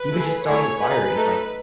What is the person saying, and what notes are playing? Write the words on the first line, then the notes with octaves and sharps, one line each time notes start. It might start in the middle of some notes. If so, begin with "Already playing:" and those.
even just starting a fire is, like,
Already playing: B4
A3 E4 G#4
A3 E4 G#4 C#5
D#4 G#4 B4
A3 D#4 A4